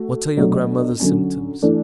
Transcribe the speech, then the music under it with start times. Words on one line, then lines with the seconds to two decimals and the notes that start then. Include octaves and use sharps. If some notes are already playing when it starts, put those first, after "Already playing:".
"What are your grandmother's symptoms?"
Already playing: A3 F#4
0.37 B2 F#3 A3 D4
1.00 D3 F#3 C#4
1.62 E3 A3 D4